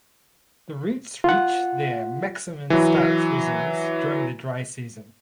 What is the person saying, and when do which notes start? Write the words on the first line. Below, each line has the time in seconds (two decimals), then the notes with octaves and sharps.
The roots reach their maximum starch reserves during the dry season.
1.24 F4 F#5
2.70 E3 F#3